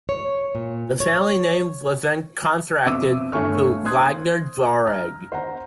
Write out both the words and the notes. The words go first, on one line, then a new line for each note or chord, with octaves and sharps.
The family name was then contracted to "Wagner-Jauregg".
C#5
A#2
C#5
F2 B2 E5 D6 E6 D#7
G1 A3 C#5 G#5 C#6 F6
C5 C6 D#6 F#6 G#6
A#5 F6
C5 F#5 A#5